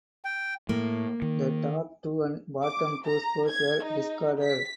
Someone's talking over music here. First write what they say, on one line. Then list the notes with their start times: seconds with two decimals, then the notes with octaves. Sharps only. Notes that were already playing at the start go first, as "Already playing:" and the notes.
The top two and bottom two scores were discarded.
0.24 G5
0.69 A2 A#3
1.22 D#3
2.64 D6
3.05 A#5
3.48 G#6
3.85 D#4
4.42 B6